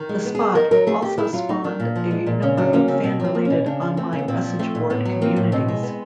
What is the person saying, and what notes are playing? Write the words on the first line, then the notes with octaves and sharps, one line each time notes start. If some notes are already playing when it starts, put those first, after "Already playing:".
The Spot also spawned a number of fan-related online message board communities.
Already playing: D#3
G#3
B3
G#4
D#3
D#3 A#4
F#3 A#4
A3 G#4
D#3 G4
D#3 E4
F#3 F4
A3 D#4
D#3 D4
A#2
F3
G#3
A#2
C#3 C#4
F#3 D4
A#3 C#4
C#3 C4
B2 C4
F#3 C4
A#3
B2 C#4
C#3 D4
F3
A3 C4
C#3
B3
A#2 C4
F3
A3 C4
A#2
A2 B3
F#3
A#3 C4
A2
B2 C4
G#3
B3